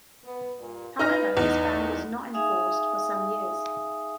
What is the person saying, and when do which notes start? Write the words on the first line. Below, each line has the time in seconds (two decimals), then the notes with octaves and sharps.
However, this ban was not enforced for some years.
0.23 B3
0.58 G2 A#2
0.99 D#4 B4 F6 A#6
1.37 E2 D#4
1.76 A#2
2.34 D#4 G#4 E5 F5 G#5 D#6